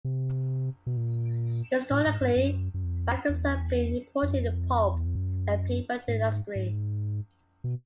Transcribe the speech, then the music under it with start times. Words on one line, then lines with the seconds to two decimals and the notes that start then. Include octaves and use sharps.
Historically, Vikersund been important in the pulp and paper industry.
0.05 C3
0.87 B2
0.97 A#2
1.91 A2
2.06 G#2
2.21 G2
2.36 F#2
2.74 F#2
2.84 F2
3.29 E2
4.23 F2
4.29 F#2
4.37 F2
4.95 E2
5.06 F2
5.15 F#2
6.08 G#2
6.55 G#2
7.64 B2